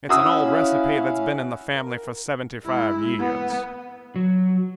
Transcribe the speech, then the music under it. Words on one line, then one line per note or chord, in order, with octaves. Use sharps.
It's an old recipe that's been in the family for seventy-five years.
C#4 E4 F#4 F5 D#6 E6
A#4
G#3 E4
B3
F#3